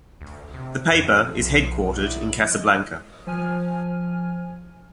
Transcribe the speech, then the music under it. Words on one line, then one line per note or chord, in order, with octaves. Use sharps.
The paper is headquartered in Casablanca.
D2
C3
F2 E3 F3
B1
F#3 E4 D5
F3 G#3 D#5
F3 G#5 F6